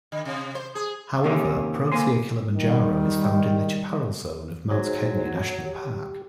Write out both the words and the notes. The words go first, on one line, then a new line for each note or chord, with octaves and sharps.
However, "Protea kilimanjaro" is found in the chaparral zone of Mount Kenya National Park.
D3
C3
C5
G#4
C3 D#3 A#3 C#4 D#4 G4
A#3 C5 G#5 C6
D#3 G3
F#3 D#4 G#4 C5
G4